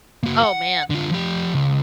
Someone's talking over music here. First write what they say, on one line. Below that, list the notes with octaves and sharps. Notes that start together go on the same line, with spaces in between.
Oh man.
A#3 F#4
F#5
D3 F4
F3 G4
C#2